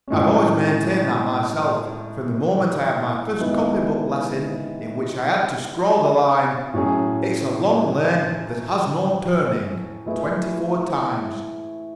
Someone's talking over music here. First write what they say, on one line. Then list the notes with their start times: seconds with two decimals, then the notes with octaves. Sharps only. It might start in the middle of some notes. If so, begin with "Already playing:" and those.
I've always maintained that myself from the moment I had my first copy-book lesson in which I had to scrawl the line, 'It's a long lane that has no turning,' twenty-four times.
0.08 A2 G#3 C#4
3.41 D#3 G#3 B3 E4
6.74 A2 F#3 C#4 G#4
10.06 E3 A3 E4 G#4 B4